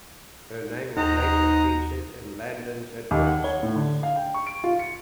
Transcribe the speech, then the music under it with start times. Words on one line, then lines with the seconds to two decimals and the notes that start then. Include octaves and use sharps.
Her name was later featured in Landon's advertisements.
0.97 D#2 D#4 C5 D#5 F#5 A#5
3.11 D#2
3.27 F#5
3.44 C#5
3.63 A2
3.76 D3
4.03 F5
4.16 G5
4.34 C#6
4.47 D7
4.64 F4
4.79 C#7